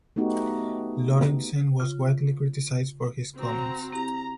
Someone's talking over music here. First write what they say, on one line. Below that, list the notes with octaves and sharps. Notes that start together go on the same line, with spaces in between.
Lorentzen was widely criticized for his comments.
A3 B3 D#4 F#4 G4
C#3 F4
C4 F#4 A#5
C4 E4 G4 A#5